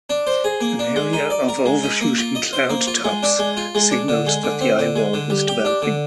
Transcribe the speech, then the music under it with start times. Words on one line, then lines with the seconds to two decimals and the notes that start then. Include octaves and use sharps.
An area of overshooting cloud tops signaled that the eyewall was developing.
0.10 D4
0.27 C5
0.44 G#4
0.61 A#3
0.79 D4
0.96 G#3
1.13 D#4
1.30 D5
1.49 A#4
1.66 G#3
1.83 D#4
2.01 A#3
2.18 F4
2.35 D#5
2.53 C5
2.70 A#3
2.87 F4
3.04 G#3
3.23 D4
3.39 G#3
3.57 F4
3.75 G#3
3.91 D4
4.08 D3
4.27 G#3
4.43 D3
4.61 C4
4.79 D3
4.96 G#3
5.13 D3
5.30 G3
5.48 G4
5.65 D4
5.82 D3